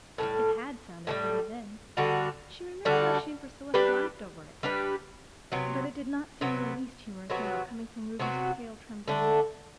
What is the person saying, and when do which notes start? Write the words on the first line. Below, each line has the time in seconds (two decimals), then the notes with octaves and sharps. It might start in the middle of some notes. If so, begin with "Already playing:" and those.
It had sounded funny then--she remembered how she and Priscilla had laughed over it. But it did not seem in the least humorous now, coming from Ruby's pale, trembling lips.
0.18 A2 E3 G3
1.07 A2 E3 G3
1.97 D3 G3 D4 F#4
2.85 D3 G3 D4 F#4
3.74 G3 D4 G4 B4
4.63 G3 D4 G4 B4
5.52 C3 F#3 B3
6.41 C3 F#3 B3
7.30 C3 F#3 B3 F#4
8.19 C3 F#3 B3 F#4
9.08 D3 A3 D4